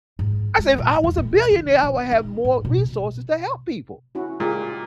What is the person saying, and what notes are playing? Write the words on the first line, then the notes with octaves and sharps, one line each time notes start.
said, "If I was a billionaire, I would have more resources to help people.
G#2
G#3
A#2
E2
F4
B2
D3
A#1
D#4
A2
B2
C#4 E4 F#4
A#2 G#3 G4 G#4